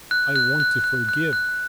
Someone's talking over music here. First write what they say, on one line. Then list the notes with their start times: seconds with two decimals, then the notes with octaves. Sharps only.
I want to forgive.
0.11 F#6
0.36 F#6
0.60 F#6
0.84 F#6
1.09 F#6
1.33 F#6